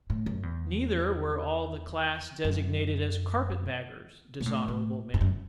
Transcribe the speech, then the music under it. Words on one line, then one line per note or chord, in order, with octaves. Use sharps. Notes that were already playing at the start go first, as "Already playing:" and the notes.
Neither were all the class designated as carpetbaggers dishonourable men.
A2
F#2
E2
F#2
B2
A2
A2
G#2
F#2